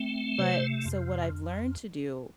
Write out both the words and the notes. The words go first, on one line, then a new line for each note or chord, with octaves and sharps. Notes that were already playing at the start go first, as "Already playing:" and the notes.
But, so what I've learned to do,
Already playing: A3 C4
C3 C5
F2